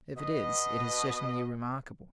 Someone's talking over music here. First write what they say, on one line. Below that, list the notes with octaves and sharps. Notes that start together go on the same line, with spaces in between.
If it is, it is certainly remarkable.
B2 D#5